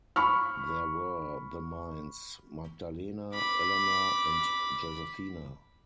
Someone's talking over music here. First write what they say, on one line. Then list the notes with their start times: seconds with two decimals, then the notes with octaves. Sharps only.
There were the mines "Magdalena", "Elena" and "Josefina".
0.16 B5 C#6 F6
3.34 B5 D6